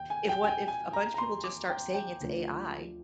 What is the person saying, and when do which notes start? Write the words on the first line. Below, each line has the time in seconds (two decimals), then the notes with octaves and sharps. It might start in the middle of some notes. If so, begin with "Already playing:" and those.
if what if a bunch of people just start saying it's AI,
Already playing: D#2 G5
0.10 G#5
0.29 G5
0.44 G#5
0.48 G5
0.68 G#5
0.93 A#5
1.14 A#5
1.18 C6
1.44 D6
1.70 G5
1.94 G5
2.20 D2 D3 F3